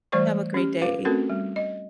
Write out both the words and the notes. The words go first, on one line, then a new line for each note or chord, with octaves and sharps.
have a great day
E3 G3 A3 C5 D5 C#6
C#4 G4
F4 B4 F5
A3 C4 C#4 F#4 A4 A#4
G3
D#5